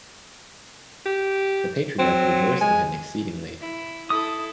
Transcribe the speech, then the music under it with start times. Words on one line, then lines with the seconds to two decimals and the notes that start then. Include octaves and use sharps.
The Patriarch rejoiced in him exceedingly.
1.06 G4
1.99 F#3 C4
2.61 G#3 G#5
3.61 E4
4.10 E4 A4 D#6